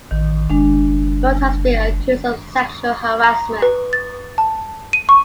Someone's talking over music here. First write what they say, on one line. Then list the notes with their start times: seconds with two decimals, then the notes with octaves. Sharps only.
Nord has been accused of sexual harassment.
0.11 A1 D#3
0.50 F#1 G#3 D4
3.24 A#5
3.62 B4
3.93 A6
4.38 A5
4.93 D#7
5.09 C#6